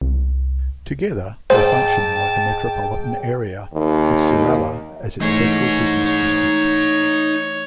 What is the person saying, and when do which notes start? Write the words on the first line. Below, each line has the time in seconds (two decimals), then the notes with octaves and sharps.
Together they function like a metropolitan area with Surallah as its Central Business District.
0.01 C2
1.50 G#2 C5 G5 A5
3.74 D#2
5.21 E3 A3 D#4 G#4 C#5
6.05 C#5